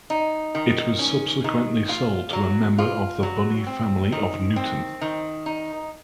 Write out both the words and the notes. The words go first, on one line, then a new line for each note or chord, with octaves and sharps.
It was subsequently sold to a member of the Bunny family of Newton.
D#4
D#3
C#4
D#3
F4
F#3
F4
F#3
C4
D#3
C4
D#3
D#4